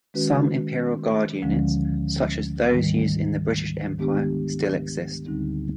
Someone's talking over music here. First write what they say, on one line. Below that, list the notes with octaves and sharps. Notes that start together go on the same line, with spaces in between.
Some imperial guard units, such as those used in the British Empire, still exist.
D#3 G#3 C#4 F#4 B4
D2 D3 F3 G#3 C#4
G#2 D#3 G3
D#3 G#3 B3 D4 G4
D2 D3 G3 C4 D#4